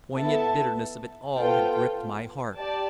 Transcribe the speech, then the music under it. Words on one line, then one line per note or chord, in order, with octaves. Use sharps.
The poignant bitterness of it all had gripped my heart.
B3 E4 A4 E5 A5
B3 F4 A4 C5 G5
G4 D5 A5